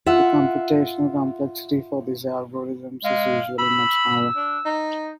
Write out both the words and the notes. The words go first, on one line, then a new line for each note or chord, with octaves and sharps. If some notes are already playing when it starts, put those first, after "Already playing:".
The computational complexity for these algorithms is usually much higher.
F4 E5 F#5
G#3 F5
B5 E6
D4
D#4